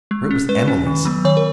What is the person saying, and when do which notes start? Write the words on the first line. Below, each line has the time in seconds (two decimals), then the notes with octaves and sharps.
For it was Emily's!
0.11 G#3
0.31 C#4
0.49 G#3 B4
0.68 C#4
0.86 D#3
1.05 F#3 B3
1.25 D#3 C#5
1.37 A#4